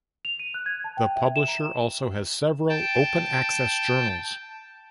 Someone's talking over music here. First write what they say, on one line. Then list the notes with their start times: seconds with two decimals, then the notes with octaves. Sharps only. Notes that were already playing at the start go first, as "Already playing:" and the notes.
The publisher also has several open access journals.
0.25 F7
0.39 D#7
0.54 F#6
0.66 G#6
0.84 A5
0.97 G5
1.16 E5
1.36 E7
1.48 A#5
2.69 G5 A5